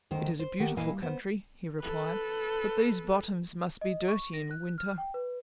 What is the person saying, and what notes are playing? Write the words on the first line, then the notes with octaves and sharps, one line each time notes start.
"It is a beautiful country," he replied; "but these bottoms must be dirty in winter."
D2 D#3 C5
C5
D#3 G4 F#5
A#2 E3 E4 D#5 F5 G#5
G3
B3 C5
A4 B4
D#5
C#6
A#6
F#6
F6
G5
B4